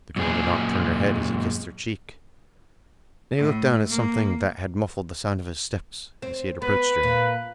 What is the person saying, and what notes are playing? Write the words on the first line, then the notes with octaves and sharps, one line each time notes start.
The girl did not turn her head as he kissed her cheek, and he looked down at something that had muffled the sound of his steps as he had approached her.
F#2 A#2 G#4
A2
A#3
C4
B3 B4
A#2